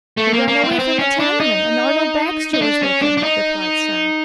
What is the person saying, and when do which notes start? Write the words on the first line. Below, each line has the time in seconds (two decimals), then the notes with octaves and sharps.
"He ran away from the tenement, and Arnold Baxter was with him," replied Sam.
0.17 A3
0.33 A#3
0.48 A#3
0.63 C4
0.71 B3
0.79 C4
0.99 C#4
1.20 D4
1.40 D#4
2.54 D#4
2.62 D4
2.83 C#4
3.02 D4
3.17 D4
3.23 D#4